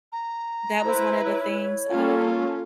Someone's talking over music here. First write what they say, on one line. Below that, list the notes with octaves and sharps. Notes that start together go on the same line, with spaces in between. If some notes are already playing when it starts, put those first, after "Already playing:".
that was one of the things, um,
A#5
E4 B4 C5
C#5
A#3 C#4 F4 A4